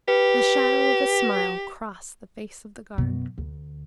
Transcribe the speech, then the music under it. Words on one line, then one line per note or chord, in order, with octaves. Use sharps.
The shadow of a smile crossed the face of the guard.
G4 B4
F#2 B2
D2